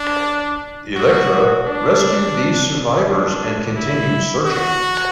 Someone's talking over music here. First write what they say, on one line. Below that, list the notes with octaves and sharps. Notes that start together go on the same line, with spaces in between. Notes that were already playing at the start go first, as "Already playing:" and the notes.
"Electra" rescued these survivors, and continued searching.
Already playing: D4
F#4
D4
D4
E4
F#4